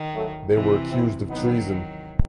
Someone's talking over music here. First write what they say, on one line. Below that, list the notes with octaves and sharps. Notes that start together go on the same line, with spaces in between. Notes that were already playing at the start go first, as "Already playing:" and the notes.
They were accused of treason.
Already playing: D#3
F#3 A3
C3 E3
C4 E4
D#3 F#3 B3 D#4